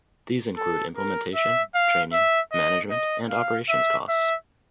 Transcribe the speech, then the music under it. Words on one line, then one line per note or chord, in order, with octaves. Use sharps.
These include implementation, training, management, and operations costs.
A4
A#4
E5
F5
E5
D#5
D#5
F5
E5
E5